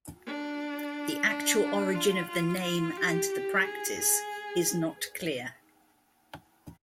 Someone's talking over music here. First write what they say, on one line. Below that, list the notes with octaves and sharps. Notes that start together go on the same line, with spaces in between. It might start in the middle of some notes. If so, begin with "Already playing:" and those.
The actual origin of the name and the practice is not clear.
D4
D4
F4
F4
F4
G4
G4
G#4
G#4